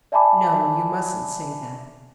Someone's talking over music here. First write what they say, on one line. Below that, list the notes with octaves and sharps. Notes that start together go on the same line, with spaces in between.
No; you mustn't say that.
D5 E5 G#5 A5 B5 D6